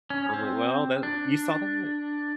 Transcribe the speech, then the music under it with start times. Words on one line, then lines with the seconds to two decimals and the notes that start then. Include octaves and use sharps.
I'm like, “Well, that “you saw that?
0.10 C#4
0.34 C4
1.03 D4